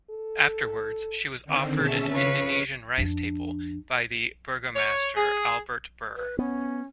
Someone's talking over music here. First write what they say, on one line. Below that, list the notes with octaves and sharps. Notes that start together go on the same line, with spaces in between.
Afterwards she was offered an Indonesian rice table by the burgomaster Albert Burgh.
A4
D3 D#3 C4
B2 C#4 G#4 E5 A5
F2 C#3 B4 C#5 F5
F2 D4
C#5
G#4
B4
B3 C#4